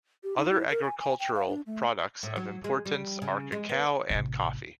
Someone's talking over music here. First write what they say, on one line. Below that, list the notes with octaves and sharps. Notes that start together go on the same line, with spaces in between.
Other agricultural products of importance are cacao and coffee.
G4
D#4
E4
A#4
G#5
G#5
G5
F5
D4
A3
A2
F#3
G#3
G3
C#3
G#3
B3
A1 C3